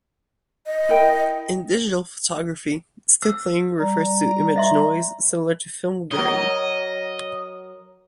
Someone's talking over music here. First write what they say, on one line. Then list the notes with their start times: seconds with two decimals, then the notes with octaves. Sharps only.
In digital photography, stippling refers to image noise similar to film grain.
0.66 D#5
0.89 E4 A#4 G5
3.22 E6
3.79 G3 A#5
4.56 D#5 E5 C6
6.11 F#3 A#4 C#5 D#5